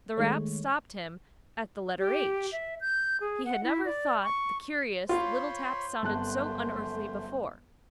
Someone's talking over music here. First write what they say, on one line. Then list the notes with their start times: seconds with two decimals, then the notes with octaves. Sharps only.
The rap stopped him at the letter H. He had never thought the curious little taps sounded so unearthly before.
0.17 D#3 G#3 A3 C#5
1.99 G4
2.52 E5
2.81 G6
3.21 G#4
3.45 F#5
3.64 E4
3.85 D5
4.23 C#6
5.09 F4 C5 C#5 B5 C6
6.03 G1 F#2 A3 A5 F#6